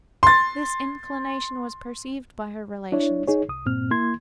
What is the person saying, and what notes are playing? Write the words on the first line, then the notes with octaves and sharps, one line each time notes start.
This inclination was perceived by her relations.
C6 A6
D4 E4 C#5
D#4 G#4 C#5
C2 D#6
G2 A#2 C4 F6
A#3 E4 C6 G#6